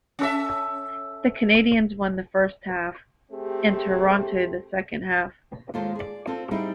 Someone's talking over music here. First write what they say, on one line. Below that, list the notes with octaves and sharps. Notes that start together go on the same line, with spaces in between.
The Canadiens won the first half, and Toronto the second half.
C#4 A4 E5
A3 C4 G4 G#4
D#2 G#3 F4 A4 C5
G#4 D5
C4 F4 A4 C5
G3 C4 D#4 E4 G#4